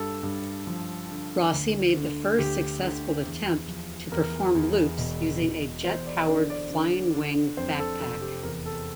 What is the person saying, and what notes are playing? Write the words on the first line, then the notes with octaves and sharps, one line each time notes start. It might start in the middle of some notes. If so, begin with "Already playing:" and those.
Rossy made the first successful attempt to perform loops using a jet-powered flying-wing backpack.
Already playing: G2 A4
G2
F3
D3
D2
D3
D2 G4
D3
E2
F3
E2 A#4
E2
E1
E1
E2 C5
D5
D3 D5
D5
D3
D3
F2 C5
A4
F1 A4
G4
E2 A#4
A4